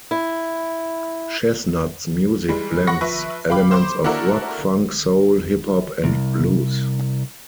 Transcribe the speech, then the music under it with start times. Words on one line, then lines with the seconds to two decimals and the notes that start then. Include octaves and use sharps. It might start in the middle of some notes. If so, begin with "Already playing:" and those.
Chesnutt's music blends elements of rock, funk, soul, hip hop, and blues.
0.11 E4
2.49 E3 G3 G#3
2.87 F#5 B5 C#6 A#6
3.01 F3 B4 E5 C#6
3.50 F5 G5 B5 D6
3.71 C5 B5 C6 D6
4.04 A#3 D4 E4 F#4 A4 A#4
6.04 C2